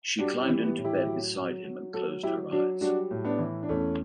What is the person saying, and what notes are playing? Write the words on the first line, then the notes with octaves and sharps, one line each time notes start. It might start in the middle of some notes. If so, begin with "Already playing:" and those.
She climbed into bed beside him and closed her eyes.
G3 D4 F#4
C#4 E4
E3
B3
A2
E4 G4
F#3
F#3
F#3
F#3 F#4 A4
F#3 E4 G4
F#3 D4 F#4
G3 D4 F#4
A2
B3 D4
E3
D4
E2 A3 C#4